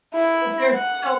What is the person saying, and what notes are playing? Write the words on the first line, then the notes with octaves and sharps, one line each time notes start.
'cause there's so
E4
F#5